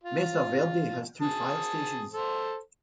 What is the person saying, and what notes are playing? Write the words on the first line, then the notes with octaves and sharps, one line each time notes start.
Mesa Verde has two fire stations.
F4
G#4 A5 D#6
A4 C5